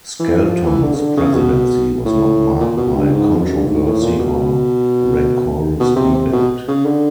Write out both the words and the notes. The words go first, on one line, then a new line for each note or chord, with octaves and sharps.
Skelton’s presidency was not marked by controversy or rancorous debate.
E3
F3
E3
D3
C#3
D3
C#3
B2
A2
A#2
B2
G2
G#2
F2
F#2
G2
G#2
A2
A#2
B2
B2
C3
C3
B2
C#3
D3